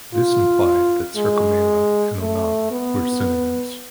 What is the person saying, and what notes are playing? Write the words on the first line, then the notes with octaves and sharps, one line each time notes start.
This implied that "Cercomela" and "Oenanthe" were synonyms.
F4
G#3
A3
B3